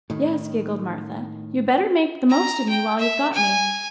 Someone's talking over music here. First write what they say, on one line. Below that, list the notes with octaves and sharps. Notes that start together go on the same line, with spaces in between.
'Yes,' giggled Martha, 'you'd better make the most of me while you've got me.
A2 D#3
A#5
G5
E5
G#5